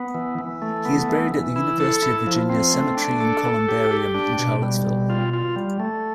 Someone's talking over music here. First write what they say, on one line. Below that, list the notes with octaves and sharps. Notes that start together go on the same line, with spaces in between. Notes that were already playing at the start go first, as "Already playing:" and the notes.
He is buried at the University of Virginia Cemetery and Columbarium in Charlottesville.
Already playing: B3
E3
E3
A3
B3
E3
E3
E4
A4
E4
F3
C4
A3
D4
A4
A4
G4
G4
D4
B2
G3
B2
F4
F4
G3
A3